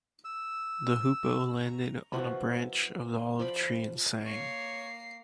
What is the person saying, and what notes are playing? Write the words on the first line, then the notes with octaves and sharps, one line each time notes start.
The hoopoe landed on a branch of the olive tree and sang.
E6
A#5 C#6
F3 B3 E4 F#4
F3 D5 B5
A#3 C#5 C7